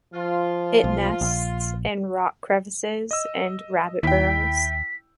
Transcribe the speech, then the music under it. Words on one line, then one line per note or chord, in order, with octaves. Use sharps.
It nests in rock crevices and rabbit burrows.
F3 F4
B1
A#1
D#5 E6
D#2 E4 G5 B6